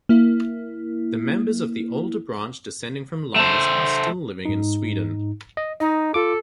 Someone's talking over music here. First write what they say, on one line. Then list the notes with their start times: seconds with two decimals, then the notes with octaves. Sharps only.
The members of the older branch descending from Lars are still living in Sweden.
0.09 A#3 E4
3.36 A3 C5
4.45 G#2 D#4
5.57 D#5
5.80 D#4 D#5
6.14 F4 A4 D6